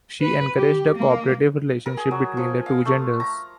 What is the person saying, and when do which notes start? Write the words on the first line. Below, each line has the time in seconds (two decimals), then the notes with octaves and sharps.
She encouraged a cooperative relationship between the two genders.
0.21 B4
0.56 G4
0.96 A#3
1.86 A#4
1.97 G#4
2.11 F#3
2.37 F3
2.66 F5
2.85 A3
3.20 A#5